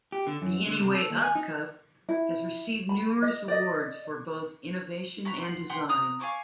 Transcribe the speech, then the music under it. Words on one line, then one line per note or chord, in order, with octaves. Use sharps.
The Anywayup Cup has received numerous awards for both innovation and design.
G4
D3
F#2
D3
C3
A4
D#2
G#5
D#4
E4
B5
D#5
D5 D#5
F#4 A#5 B5
F#5 C6
G4 F#5 C6
A#5 D#6 F#6
F5 G#5 C#6 D6